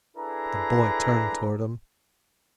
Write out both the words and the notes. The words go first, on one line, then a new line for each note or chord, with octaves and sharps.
The boy turned towards him.
D4 E4 G#4 A4 B4 A#5